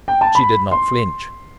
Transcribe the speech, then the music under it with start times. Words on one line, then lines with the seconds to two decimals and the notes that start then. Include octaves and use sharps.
She did not flinch.
0.08 G5
0.21 A5
0.35 B5
0.71 C6